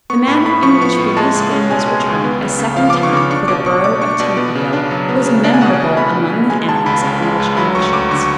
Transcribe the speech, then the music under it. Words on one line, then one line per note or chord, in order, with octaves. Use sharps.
The manner in which Phineas Finn was returned a second time for the borough of Tankerville was memorable among the annals of English elections.
B3 C#6
A2 B5
A2 B5
F3 C#6
B3 C#6
A2
G#3 A5
C#2
C#4
B2 G#5
G#3
C#2
B3
C#3
C#3
F3 F5
D6
B3
C#6
C#3 D6
D4 C#6
B2 D6
B2 C#6
A3 D6
D4 C#6
B2 D5
B3
C#3
D4
F#3
B3
C#3
D4 D5
G#5
B2 F#5
B2
A3 B5
D4
B2
G#3 G#5
C#2 A5
C#2 B5
C#3
G#3
C#2
F#3 B5
D2 C#6
D2 D6
D3 C#6